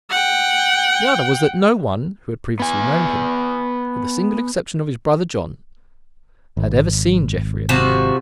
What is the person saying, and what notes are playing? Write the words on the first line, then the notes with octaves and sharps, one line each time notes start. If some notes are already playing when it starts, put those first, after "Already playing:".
The other was that no one who had previously known him, with the single exception of his brother John, had ever seen Jeffrey at the inn.
F#5 G5
B3 G#5
G#1
C3 F3 F#4